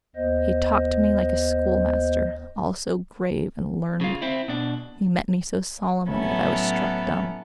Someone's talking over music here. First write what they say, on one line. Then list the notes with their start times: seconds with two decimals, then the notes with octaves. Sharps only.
He talked to me like a schoolmaster, all so grave and learned; he met me so solemnly that I was struck dumb.
0.16 D#2 B3 C5 D#5
4.01 C#3 F4
4.22 C4 E4
4.48 B2 D4
6.09 A2 F#3 B3 C#4 E4 A4